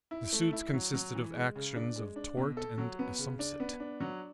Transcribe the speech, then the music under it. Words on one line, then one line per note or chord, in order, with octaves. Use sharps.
The suits consisted of actions of tort and assumpsit.
E4
A3
E4
F#3
F#3
E3
G#3
C#3
D4
G#3
D4
B2
A4
F#3
B3
C#3
D4
B3
D4
F#3